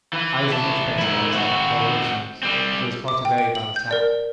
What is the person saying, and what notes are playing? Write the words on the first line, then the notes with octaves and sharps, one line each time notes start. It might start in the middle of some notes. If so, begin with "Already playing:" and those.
Eyes are much better except poor Wilson's; he has caught a very bad attack.
E3
E3 A5
G#2 E4
C4 F#4
G3 C4
D6
G5
D7
F#7
G6
A#4 D5